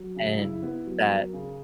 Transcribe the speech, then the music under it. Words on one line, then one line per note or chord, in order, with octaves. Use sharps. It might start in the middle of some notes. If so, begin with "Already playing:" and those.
And, that
Already playing: F#3
C#3
E4
B3
F#3
A#4
C#3